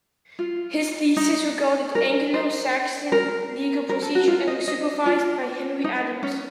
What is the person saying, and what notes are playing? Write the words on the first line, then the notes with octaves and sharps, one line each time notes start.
His thesis regarded "Anglo-Saxon Legal Procedure" and was supervised by Henry Adams.
F4
D#4
A#4
C5
A#4
A#4
A4
F#4
F4
D#5
D#5
F4
D#4
C#4